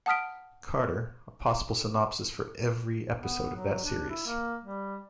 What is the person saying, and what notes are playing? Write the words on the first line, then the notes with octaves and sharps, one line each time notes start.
Carter, a possible synopsis for every episode of that series.
F#5 A5 D#6 F6 B6 D7
B3
F#3
D4
E4
A#3
G3